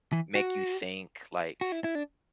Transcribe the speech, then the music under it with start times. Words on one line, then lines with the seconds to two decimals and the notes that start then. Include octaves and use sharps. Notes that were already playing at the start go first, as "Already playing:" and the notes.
make you think, like,
0.12 E3
0.35 F#4
1.61 F#4
1.72 E4
1.84 E4
1.95 D4